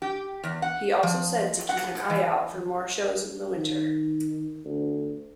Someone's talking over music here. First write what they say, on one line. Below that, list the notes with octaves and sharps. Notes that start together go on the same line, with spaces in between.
He also said to keep an eye out for more shows in the winter.
G4
E2
F#5
F3
F#5
E3
D#3
D2